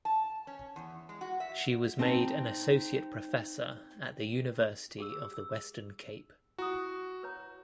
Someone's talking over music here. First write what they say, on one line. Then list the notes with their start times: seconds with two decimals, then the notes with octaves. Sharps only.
She was made an associate professor at the University of the Western Cape.
0.05 A5
0.47 C#4
0.76 E2
1.09 G#3
1.21 F#4
1.40 E5
1.99 C4 D#4 A5
4.98 G4 G#4 E6
5.34 E6
6.58 E4 F#4 D#6
7.23 B4 C#5 A#5